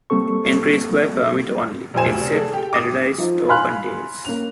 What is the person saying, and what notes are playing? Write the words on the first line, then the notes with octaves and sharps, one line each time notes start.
Entry is by permit only, except on advertised open days.
G3 A#3 C4 A4 C#6
D#1 F2 C5 G#5 E7
D2
F1
G#4 A4
G4 G5
D6 D#6
F3 D#4 F4
F5 G#5 B5 C6 F6 F#6
A#3 C#4 F7